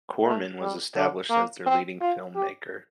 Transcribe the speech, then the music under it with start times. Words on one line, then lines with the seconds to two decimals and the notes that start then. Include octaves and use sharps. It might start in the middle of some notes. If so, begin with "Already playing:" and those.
Corman was established as their leading filmmaker.
0.25 A3
0.61 G3
0.96 D3
1.30 A#3
1.66 C4
2.01 F4
2.35 G4